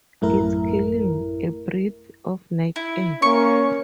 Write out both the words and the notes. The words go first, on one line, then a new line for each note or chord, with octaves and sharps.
It’s killing, a breath of night air!
A1 F#2 A3 E4 A#4
E4
A#3 C#4 C#6